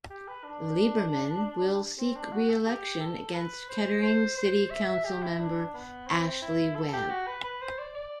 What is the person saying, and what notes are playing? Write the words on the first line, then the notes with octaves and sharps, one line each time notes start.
Lieberman will seek re-election against Kettering City Council member Ashley Webb.
G4
B4
D4
C4
D4
F#4
A4
G4
A4
B4
C5
C5
C5
E5
E5
G4
E4
D4
B3
C4
E4
A4
G4
F#4
B4
B4
C5
D5
D5